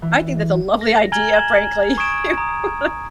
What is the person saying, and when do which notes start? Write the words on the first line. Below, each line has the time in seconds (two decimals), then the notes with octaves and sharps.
I think that's a lovely idea, frankly. Here you could
0.02 E3
0.81 A#6
1.12 G#5 A#5 F6 G#6 F#7 G7
1.34 G#6 E7 F#7
1.98 C#6 D#6 G#6 D7 E7
2.38 A#5 D#6